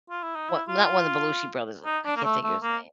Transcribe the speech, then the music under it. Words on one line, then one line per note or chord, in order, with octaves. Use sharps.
what not one of the Belushi brothers, uh, I can't think of his name.
F4
E4
D#4
E4
F4
D#4
D4
A#3
A3
A3
A#3